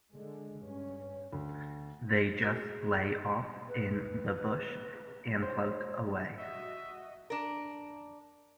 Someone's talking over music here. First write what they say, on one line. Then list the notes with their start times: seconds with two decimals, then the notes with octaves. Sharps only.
They just lay off in the bush and plugged away.
0.14 D3 G#3
0.60 G2 C#4
1.33 D2
2.42 F#4 G#4 A#4
3.68 B4
5.42 C5 C#5
6.37 F#4 D#5 E5
7.30 D4 A#4